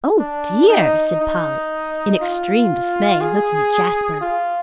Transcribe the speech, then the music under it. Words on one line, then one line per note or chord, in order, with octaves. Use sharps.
"Oh dear!" said Polly, in extreme dismay, looking at Jasper.
D4
D#4
D#4
F4
G#4
F4